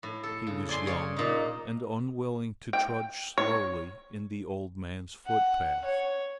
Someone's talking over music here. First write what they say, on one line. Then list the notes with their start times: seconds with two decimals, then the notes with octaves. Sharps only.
He was young and unwilling to trudge slowly in the old man's footpath.
0.03 A2
0.23 A4
0.47 C#3
0.69 D5 G#5 C6
0.87 C#3 C#5 C6
1.17 A#2 D#4
2.73 G5
3.38 C#5
5.27 F#5
5.85 C#5